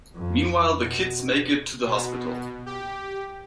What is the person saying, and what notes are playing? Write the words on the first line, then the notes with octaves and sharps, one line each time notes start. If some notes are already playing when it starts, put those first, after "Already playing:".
Meanwhile, the kids make it to the hospital.
F2
B2
B2
G4